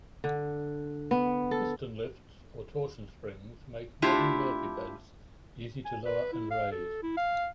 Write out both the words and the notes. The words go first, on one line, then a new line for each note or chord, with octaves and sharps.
Piston-lifts or torsion springs make modern Murphy beds easy to lower and raise.
D3
B3
A4
A3 D4 E4 F4 G4
G#5
B4
E4
F5
A4
E4
F5